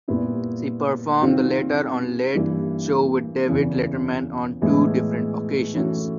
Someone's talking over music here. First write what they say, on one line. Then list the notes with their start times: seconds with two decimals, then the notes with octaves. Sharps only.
She performed the latter on Late Show with David Letterman on two different occasions.
0.08 A#2 G3 B3 E4
1.21 C3 D#3 G3 C4 F4
2.35 G2 E3 G3 A#3
3.48 E2 C#3 E3
4.61 A2 E3 G#3 B3 E4
5.75 E3 A3 C#4 F#4 A4